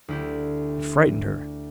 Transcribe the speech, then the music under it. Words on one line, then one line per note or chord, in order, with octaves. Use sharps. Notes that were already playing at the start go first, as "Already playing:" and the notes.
It frightened her.
D2 E4 G4